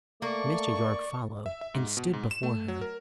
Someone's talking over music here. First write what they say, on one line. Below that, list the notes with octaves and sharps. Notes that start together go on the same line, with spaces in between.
Mr. Yorke followed and stood before her.
A3 A#3 D5 C#6
E5
E5
G#2
B2
G#2
E7
A3
F#3
A#4